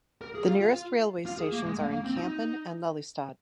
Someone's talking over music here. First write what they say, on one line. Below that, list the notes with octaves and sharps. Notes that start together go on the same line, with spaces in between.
The nearest railway stations are in Kampen and Lelystad.
A#4
G#4
F4
F4
F4
G#4
A#3
G#3
A#3
A#3
C4
D#4